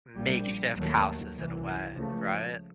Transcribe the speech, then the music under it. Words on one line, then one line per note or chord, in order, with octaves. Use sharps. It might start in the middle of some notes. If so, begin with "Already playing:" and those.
makeshift houses, in a way, right?
A#1 A#2 G3
D#2 D#3 F#3 A3
C2 C3 E3
C#2 C#3 F3 A3